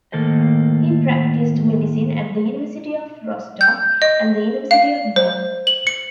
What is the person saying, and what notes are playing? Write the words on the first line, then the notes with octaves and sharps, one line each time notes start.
He practiced medicine at the University of Rostock and the University of Bonn.
A2 D#3 A#3 A4 C5 D#5
G6
D#5
F5
C5
F#7
C#7